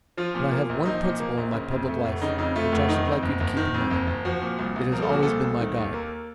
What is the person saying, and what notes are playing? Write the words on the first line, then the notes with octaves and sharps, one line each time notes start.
But I have one principle in my public life, which I should like you to keep in mind; it has always been my guide.
F3 F4
A#2
A#3
A#1
F3 D#4
A#2
A#3
A#1
C#3
F2
A3
F1
C#3 D#4
F2 D#4
A3 F4
F1
D#3 D#4
F2
F#1
F#1
D#3
F2
F#1
F#1
F3 F#4
A#2
C2
C2
F3 A#4
A4
A#2 F#4
C2 A4
C2
D#3
D#2
A#3